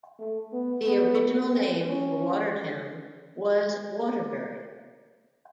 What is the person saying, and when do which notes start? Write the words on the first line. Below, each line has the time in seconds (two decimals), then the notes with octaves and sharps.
The original name for Watertown was Waterbury.
0.19 A3
0.52 B3
0.86 B3
1.53 C4
1.86 C#4